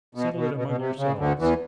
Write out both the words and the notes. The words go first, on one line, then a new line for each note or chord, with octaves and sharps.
'Settle it among yourselves.
B2
B2
B2
B2
C3
C#3
D2 D3
E2 E3